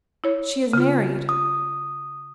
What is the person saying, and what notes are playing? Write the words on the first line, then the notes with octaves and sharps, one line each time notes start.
"She is married."
E4 C#5
C#3 F4
D#6